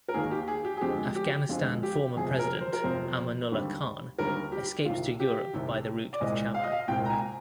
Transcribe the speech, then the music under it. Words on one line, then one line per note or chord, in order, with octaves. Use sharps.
Afghanistan Former President Amanullah Khan escapes to Europe by the route of Chaman.
A#4
D#2 D#3 A#3 G#4
G4
G#4
G4
G#4
F2 D3 G#3 C4 G4
G4
F2 D3 G#3 C4 F4
G4
F2 C3 F3 G#4
A#4
C5
A#4
F2 C3 F3 C5
D#2 D3 G3 C4
D#2 D3 G3 C4 A#4
G4
C2 C3 D#3 F4
G4
C2 C3 D#3
D5
C2 A#2 G#3 C4 D#5
F5
D#5
F5
C2 A#2 G#3 C4 G5
A#5
G#5